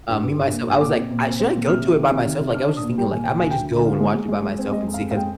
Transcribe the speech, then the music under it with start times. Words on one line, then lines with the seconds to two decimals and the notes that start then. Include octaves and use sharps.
um, me, myself I was, like, "I should I go to it by myself?" Like, I was just thinking, like, I might just go and watch it by myself and see, 'cause
0.09 G2
0.23 G2
0.38 G2
0.52 A#3
0.67 G2
0.81 A#2 D6
0.95 C4
1.10 A#2
1.25 C4
1.39 C4
1.54 A#2
1.68 C3 F6
1.82 C3
1.97 D#3
2.11 C3
2.26 D#3
2.40 C3
2.54 D4 F6
2.69 D4
2.77 D#6
2.83 A#2
2.98 G3 G5
3.11 A#2 G#5
3.24 A#2 G5
3.38 D2 G#5
3.51 G5
3.57 D2
3.71 D2
3.85 D2 F5
4.00 G#3
4.15 G#3
4.28 G#3
4.43 G#3
4.58 C4
4.72 G#3 D#5
4.87 F2
4.94 F5
5.01 F2
5.11 F5
5.16 G#3 G5